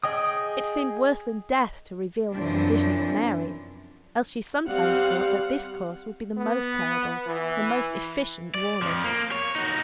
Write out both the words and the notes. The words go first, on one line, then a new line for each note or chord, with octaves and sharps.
It seemed worse than death to reveal her condition to Mary, else she sometimes thought that this course would be the most terrible, the most efficient warning.
G#4 D#5 G5 D#6
F#2 C3 E3 F3 D4
G3 C4 F5 F#5
B3
E3
D5
F2 F3
A#3
C#5
D#4 F#4